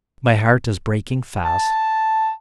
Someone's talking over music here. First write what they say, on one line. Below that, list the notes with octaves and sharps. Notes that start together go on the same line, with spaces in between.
My heart is breaking fast.'
A5